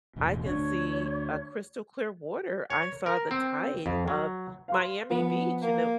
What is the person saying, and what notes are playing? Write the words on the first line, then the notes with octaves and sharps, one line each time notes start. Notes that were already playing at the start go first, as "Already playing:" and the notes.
I can see a crystal clear water. I saw the tide of Miami Beach and the
E1 A2
D2 A3 D4 C#5
C#5
A#4
C4
F2
F#3
F5 C6
F3 B3
A#3